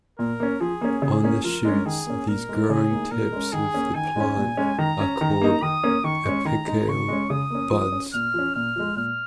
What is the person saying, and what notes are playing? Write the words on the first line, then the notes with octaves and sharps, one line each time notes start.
On the shoots, these growing tips of the plant are called "apical" buds.
A#2 A#4
A#3 C#4
F3 G#4
A#3 C#4
C#3
A#3 C#4
F3 A#4
G#3 C#4
D#3 G#4
A#3 C#4
A#2 A#4
G#3 D#4
C#3 G#4
A#3 D#4
A#2 A#4
G#3 C#4
D#3 G#4
A#3 C#4
D#3 G#5
G#3 C#4
A#2
G#3 C#4
D#3 A#5
C#4
D#3
A#3 D#4
D#3 D#6
A#3 C#4
D#3 C#6
G#3 C#4
D#3 A#5
G#3 D#4
C#3 C#6
G#3 C#4
C#3 D#6
A#3 C#4
F3 D#6
C#4
A#2 F6
F3 C#4
A#2 F6
F3 G#3
A#2 F6